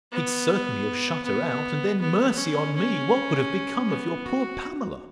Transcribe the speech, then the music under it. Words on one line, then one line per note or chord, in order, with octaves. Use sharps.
He'd certainly have shut her out, and then, mercy on me! what would have become of your poor Pamela?
B3
B3
B3
C#4
C#4
B3
F#4